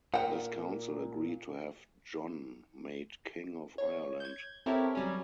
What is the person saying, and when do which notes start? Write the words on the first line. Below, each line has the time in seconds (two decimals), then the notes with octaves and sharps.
This council agreed to have John made King of Ireland.
0.14 A#2 F#5 G5
3.78 C#5
4.20 G6 G#6
4.66 C4 E4 G4 A4 A#4 C#5
4.95 F#3 G3 C#4